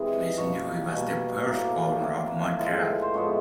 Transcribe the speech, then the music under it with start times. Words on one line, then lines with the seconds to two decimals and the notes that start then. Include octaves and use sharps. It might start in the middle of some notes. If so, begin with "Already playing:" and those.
Maisonneuve was the first governor of Montreal.
Already playing: C3 E3 G#3 G#4
0.38 B2 G3 A#3 C#5
0.93 B2 G3 A#3
1.47 A2 F#3 A#3 D5
1.76 D5
2.03 A2 F#3 A#3 D5
2.59 A2 F3 G#3 B3
3.02 C5
3.14 A2 F3 G#3 B3 C#5